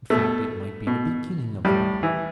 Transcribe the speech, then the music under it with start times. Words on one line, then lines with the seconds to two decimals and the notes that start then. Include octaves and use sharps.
In fact, it might be the beginning of one.
0.10 B2 A3
0.87 B2
1.65 A2 G3
2.03 E3